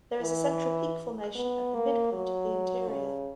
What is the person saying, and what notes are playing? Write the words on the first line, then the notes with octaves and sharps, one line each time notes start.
There is a central peak formation at the midpoint of the interior.
E3
B3
A#3
F#3
C#3